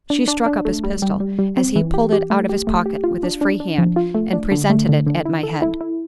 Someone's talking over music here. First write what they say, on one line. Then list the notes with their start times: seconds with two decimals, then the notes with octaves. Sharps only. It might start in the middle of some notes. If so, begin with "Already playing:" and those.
She struck up his pistol as he pulled it out of his pocket with his free hand and presented it at my head.
0.10 D4
0.28 D4
0.46 D4
0.65 A3
0.84 G3
1.02 G3
1.20 G3
1.39 G3
1.57 C4
1.76 E3
1.94 G4
2.13 G4
2.30 A3
2.49 G4
2.67 A3
2.86 G4
3.04 F4
3.23 D4
3.41 D4
3.60 D4
3.78 F3
3.96 F4
4.15 A3
4.33 D4
4.51 D3
4.70 A3
4.89 D3
5.07 D3
5.25 E4
5.43 A4
5.62 E4
5.81 E4